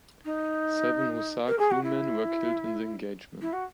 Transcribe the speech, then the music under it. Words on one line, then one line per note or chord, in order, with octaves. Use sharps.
Seven Hussar crewmen were killed in the engagement.
D#4
A#4
G#4
F#4
E4
E4
F#4